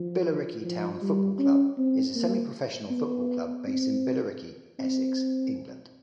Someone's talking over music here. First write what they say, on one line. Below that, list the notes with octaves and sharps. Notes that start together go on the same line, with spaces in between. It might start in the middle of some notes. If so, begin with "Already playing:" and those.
Billericay Town Football Club is a semi-professional football club based in Billericay, Essex, England.
Already playing: F3
F3
G3
C#4
C4
A#3
B3
C4
C4